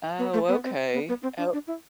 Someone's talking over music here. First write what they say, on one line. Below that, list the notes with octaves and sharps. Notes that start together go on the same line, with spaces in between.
Oh, okay. Oh,
B3
A3
B3
C4
B3
B3
C4
D4
D4
E4